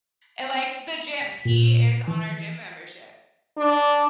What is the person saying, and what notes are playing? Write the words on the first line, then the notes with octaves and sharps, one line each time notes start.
And, like, the gym he is on our gym membership.
B6
A#2
E3
D4